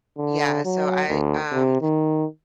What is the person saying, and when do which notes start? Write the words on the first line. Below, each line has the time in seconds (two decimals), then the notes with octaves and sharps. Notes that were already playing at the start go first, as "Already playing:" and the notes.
yeah, so I, um,
0.18 D3
0.65 F#3
1.08 D2
1.53 C3
1.82 D#3